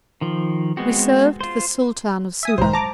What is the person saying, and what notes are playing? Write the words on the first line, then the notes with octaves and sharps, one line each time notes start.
We served the Sultan of Sula.
D#3 F3
G#3 B3 C4 F#4
F4 C5
E5 G#5 D#6
B1 G#2 C5 A#5
A5 A#5 D6